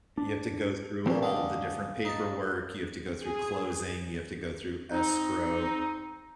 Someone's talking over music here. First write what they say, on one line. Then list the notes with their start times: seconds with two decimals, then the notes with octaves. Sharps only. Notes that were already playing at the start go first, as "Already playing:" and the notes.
You have to go through all of the different paperwork, you have to go through closing, you have to go through escrow
0.18 D4
1.06 B1 G2 A#2 F3 C4 F4
1.23 D3 G#3 F5
2.05 D#4 A5
3.23 G#4
4.91 C4 D#4